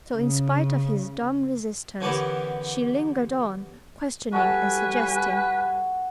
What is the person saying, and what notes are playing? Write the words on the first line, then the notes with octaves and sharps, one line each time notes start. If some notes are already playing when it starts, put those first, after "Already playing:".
So, in spite of his dumb resistance, she lingered on, questioning and suggesting.
C#3
D3 E3 B3 C#4 G4 A#4
G3 F#4 A4 B4 G#5